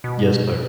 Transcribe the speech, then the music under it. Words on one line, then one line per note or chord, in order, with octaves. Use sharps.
Yes, sir.
B2